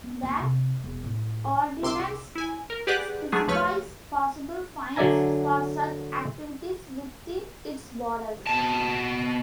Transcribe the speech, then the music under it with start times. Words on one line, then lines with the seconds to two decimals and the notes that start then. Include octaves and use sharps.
The ordinance specifies possible fines for such activities within its borders.
0.03 B3
0.23 D#2
0.40 C3
0.84 E1
1.04 A2
1.82 C2 C3 C6 D6 E6
2.35 E4 G#5
2.70 A#4
2.87 G4 G#4 B4 D5 F#5 F#6
3.32 F#3 G#3 A3 B3 D4 G#4
3.47 D#2 F3 A3 B4 C#5 F6
4.96 D3 F#3 D5 E5 G#5 A#5
8.47 B2 A5